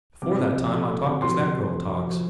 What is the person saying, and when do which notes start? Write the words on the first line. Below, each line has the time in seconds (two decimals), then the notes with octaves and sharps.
Before that time I talked as that girl talks.
0.22 C3 D6
0.39 C3
0.55 F3
0.72 A3
0.89 A3
1.05 C3
1.22 F3 C6
1.39 C3
1.56 F3
1.72 A3
1.89 F3
2.06 F3